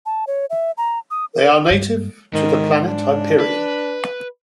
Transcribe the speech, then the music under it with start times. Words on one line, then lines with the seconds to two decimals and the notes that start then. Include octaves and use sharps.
They are native to the planet Hyperion.
0.06 A5
0.27 C#5
0.50 E5
0.77 A#5
1.11 D#6
1.34 A#4
1.70 G2
2.34 G#2 D#3
2.87 D4
3.40 B4